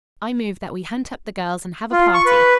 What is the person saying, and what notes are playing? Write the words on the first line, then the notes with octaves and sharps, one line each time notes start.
I move that we hunt up the girls and have a party.
F4
C#6
B4